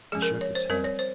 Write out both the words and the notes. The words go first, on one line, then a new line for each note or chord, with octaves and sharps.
He shook his head.
F3 G#3 C#4 G#4
A#4
C#5
C5
G3 C4 A#4
C#5
C5